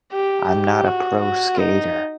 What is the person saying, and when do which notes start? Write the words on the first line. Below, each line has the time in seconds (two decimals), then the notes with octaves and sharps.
I'm not a pro skater,
0.12 G4
0.49 G4
0.86 F#4
1.22 F#4
1.58 D#4